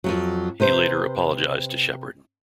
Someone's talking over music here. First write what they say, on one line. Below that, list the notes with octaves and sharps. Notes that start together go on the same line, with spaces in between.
He later apologised to Sheppard.
F2 G#2 F#3
C3 B4 C5